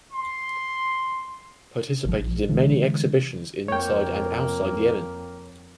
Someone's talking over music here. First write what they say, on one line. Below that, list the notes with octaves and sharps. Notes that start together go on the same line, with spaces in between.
Participated in many exhibitions inside and outside Yemen.
C6
G#1 F3
A#1
B2 D3 E3 G#3
F2 A#3 C#5 G5